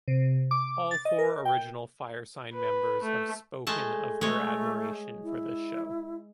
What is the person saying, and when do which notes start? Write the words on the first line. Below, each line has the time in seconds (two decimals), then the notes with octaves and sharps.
All four original Firesign members have spoken of their admiration for this show.
0.08 C3
0.51 D6
0.91 A6
1.05 D#5
1.18 A#4
1.45 G5
2.54 B4
3.03 A3
3.67 G#3 A3 A5
4.21 G#3 A3 C#5
5.23 E4